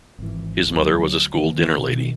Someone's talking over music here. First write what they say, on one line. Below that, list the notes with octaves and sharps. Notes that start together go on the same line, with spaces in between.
His mother was a school dinner lady.
G#1 E3
D2 F#3
D#3 E3 A3 A#3
B2 D#3